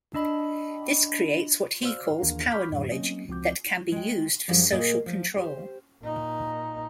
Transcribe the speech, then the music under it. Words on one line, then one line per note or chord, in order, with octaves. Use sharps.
This creates what he calls 'power-knowledge' that can be used for social control.
D4 D#5 B5
F#4 C5 D5 F5 E6 F6
D#2 E3 D4 G#4 A#4 F5
B5 C#6 D6 F6 G6 B6
F2 A2 D3 F#3
F#3 A#3 C4 C#4 D#5
C#2 F3 C4 F#4 D6 G6
G#3 G5
F#2 F3 G3 G#4 C5
A#2 A#3 G#4 A#4 D#5
F3
G4 C5
A#2 D#4